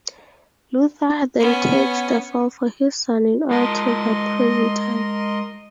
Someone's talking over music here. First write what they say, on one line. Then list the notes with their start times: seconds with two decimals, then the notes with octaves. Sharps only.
Luther then takes the fall for his son in order to avoid prison time.
1.40 B3 C#4
3.51 G#3 F4 A#4 D#5 A5 C6